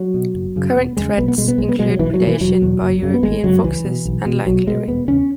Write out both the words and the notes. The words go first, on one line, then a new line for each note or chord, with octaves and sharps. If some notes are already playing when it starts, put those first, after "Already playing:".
Current threats include predation by European foxes and land clearing.
Already playing: F#3
B2
F#1
F#2 C#3
E1 B3
E2 C#3 G#3
B1 B3
B3
B2 G#3
B3
B1 G#3
B3
B2 G#3
F#3
B1 E3
F#3
B2
E3
E1 F#3
E2 B2
F#1
F#2 C#3
B3
G#1 G#3
F#2 C#3 F#3
C#2 E3
B2
B1
B2
B1 F#3
B2 G#3
E1 B3
E2 C#3 C#4